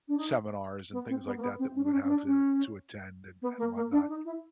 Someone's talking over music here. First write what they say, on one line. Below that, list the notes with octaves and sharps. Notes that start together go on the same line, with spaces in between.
seminars and things like that that we would have to to attend and and whatnot.
D4
D#4
B3
C4
B3
A#3
B3
C4
C#4
D4
C#4
C#4
D4
C#4
B3
A#3
A#3
D4
D#4
E4